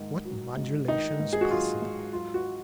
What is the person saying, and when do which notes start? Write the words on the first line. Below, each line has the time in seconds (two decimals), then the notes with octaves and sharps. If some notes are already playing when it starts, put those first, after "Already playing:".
What modulations possible!
Already playing: G#2 D#3
0.25 F#3
0.57 G#2
0.88 D#3 D#4
1.20 G#2
1.33 G#4
1.41 F#4
1.50 F#3 F4
1.82 G#2
2.13 F#3 F4
2.34 F#4